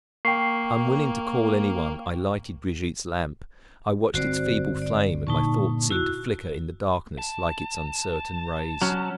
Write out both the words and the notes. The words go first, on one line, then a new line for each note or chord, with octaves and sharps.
Unwilling to call any one, I lighted Brigitte's lamp; I watched its feeble flame and my thoughts seemed to flicker in the darkness like its uncertain rays.
A#3 G5 C#6 C7
G1 C4 F#4 C5 D5
D5
G2 A#2 D3 D#4 A5 C#6
E4 F#4
A5
F#3 C#4